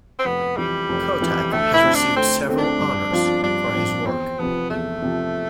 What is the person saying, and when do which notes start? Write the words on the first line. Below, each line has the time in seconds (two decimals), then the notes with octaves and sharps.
Kottak has received several honors for his work.
0.19 C4
0.25 F1 B3
0.57 F2 E3 G3
0.89 F1
1.21 F2 E3
1.52 D2 A3
1.74 E4
1.84 D3 A3 C4
1.95 D4
2.16 D2 C4
2.48 D3 A3 C4
2.58 D4
2.79 G2
3.11 F3 C4 F4
3.43 G2 D4
3.75 F3 C4 F4
4.07 E2 C4
4.39 C3 F3 B3
4.70 E2 A3
5.02 C3 F3